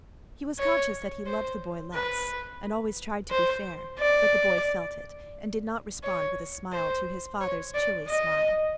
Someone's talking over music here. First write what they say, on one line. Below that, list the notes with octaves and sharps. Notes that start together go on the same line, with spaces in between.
He was conscious that he loved the boy less, and always tried to be fair; but the boy felt it, and did not respond with a smile to his father's chilly smile.
C#5
C5
B4
C5
D5
C#5
C5
C#5
D5
D#5